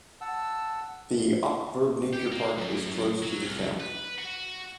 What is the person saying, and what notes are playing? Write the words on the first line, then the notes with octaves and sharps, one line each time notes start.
The Aukrug Nature Park is close to the town.
F#5 A5 E6
G4
A#3
F#2
F#3
C2
B4
F#4